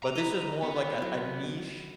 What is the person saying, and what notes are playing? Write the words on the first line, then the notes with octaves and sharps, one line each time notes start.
but this was more of, like, a a niche
A#5
B4 D#5
B3
F#3 C4